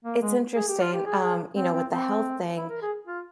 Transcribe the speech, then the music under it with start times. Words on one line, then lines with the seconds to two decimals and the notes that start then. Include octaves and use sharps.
it's interesting, um, you know, with the health thing,
0.05 A#3
0.22 G#3
0.55 G#4
0.68 G4
0.80 F4
0.93 G4
1.06 G#4
1.22 G#4
1.56 C4
1.73 C4
1.90 C4
2.57 E4
2.69 A#4
2.82 G#4
3.07 F4